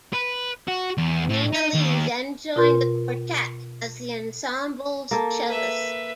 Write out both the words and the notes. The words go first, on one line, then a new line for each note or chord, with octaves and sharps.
Nina Lee then joined the quartet as the ensemble's cellist.
B4
F#4
E2
A2
D#4
D#2
B2 F4 A#4 C6 G6
A#3 A4
B4 E5